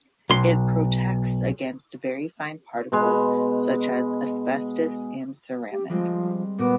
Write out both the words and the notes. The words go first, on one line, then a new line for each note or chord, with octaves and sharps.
It protects against very fine particles such as asbestos and ceramic.
B1 C6
B2 G#3
G4
F3 G3 G#3 C4
A#2 B3 F#4 D6